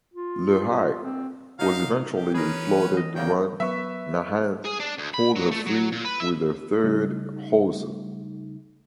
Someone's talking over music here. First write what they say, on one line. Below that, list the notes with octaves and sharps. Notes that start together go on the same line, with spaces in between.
"Lehigh" was eventually refloated when "Nahant" pulled her free with a third hawser.
F4
F4
C4
F#3 D#4 F5
C3
G4
E3 C#4 G#4 A#4 B4
D#5
E2 C#3 A#3 G5
F#3 B3 B4 E5 C#6
G#4
D4
D2
B5
F#3
A3
F#3
A#2
B4
E5
C#3 G3 A3 D#4